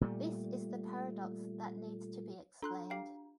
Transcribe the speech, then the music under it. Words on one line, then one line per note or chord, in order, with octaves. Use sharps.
This is the paradox that needs to be explained.
A#2 G3 A3
D4 A4 C6 F#6
G4 F5 G5